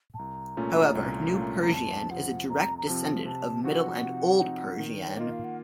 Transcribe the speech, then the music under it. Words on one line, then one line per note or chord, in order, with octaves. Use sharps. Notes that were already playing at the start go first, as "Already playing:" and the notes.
However, New Persian is a direct descendent of Middle and Old Persian.
A5
C2 A#5
A#2 A3 C#4 F4
C2
A#2 A3 C#4 F4
A#5
F2 A5
C3 F3 C4 F#5
F2 A#5
A#5
C3 F3 C4 A5
C3 A5
F3 C4 D#4 F#4 F#5
C3
F3 C4 D#4 F#4
D#3
C#5
A#3 F4 D#5
F5
F#5